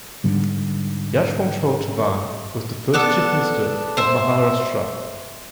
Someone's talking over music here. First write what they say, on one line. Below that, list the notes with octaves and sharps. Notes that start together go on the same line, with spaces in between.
Yashwantrao Chavan was the first Chief Minister of Maharashtra.
G#2 D3 G3
B3 D4 A4
C5 E5